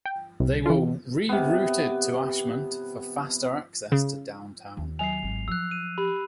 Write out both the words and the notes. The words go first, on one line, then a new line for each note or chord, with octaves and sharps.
They were rerouted to Ashmont for faster access to downtown.
G5
C2
E3 F4
C3 B3
C#3
D#2
F#3 G#5 C7 F7
G#1
F3 E6 F#6
D#7
G4 B5